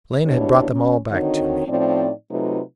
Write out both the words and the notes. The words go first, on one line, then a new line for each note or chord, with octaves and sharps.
Lena had brought them all back to me.
D#2 B2 D4 E4 G4 C#5
C#4
D3 D#3 C4 D#4 F#4 C#5
A2 F3 C4 C#4 D#4 D5
C3 F#3 A3 D#4 F4 B4